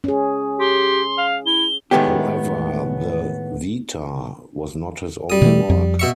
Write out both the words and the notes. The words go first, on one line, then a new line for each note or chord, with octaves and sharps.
However, the "Vita" was not his only work.
C#4 G#4
G4 C6
F5
E4 G7
A2 D#3 G#3 A3 B3 G4
G3 D#6
B2 E3 A3
F2
B2 E5 C#6